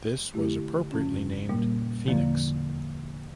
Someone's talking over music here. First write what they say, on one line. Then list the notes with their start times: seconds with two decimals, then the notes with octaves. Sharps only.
This was appropriately named "Phoenix".
0.34 D3 A3 E4 G4
0.92 F2 C#3 F3 C#4
1.49 A#2 G3 A#3
2.08 E2 D3 F3 A#3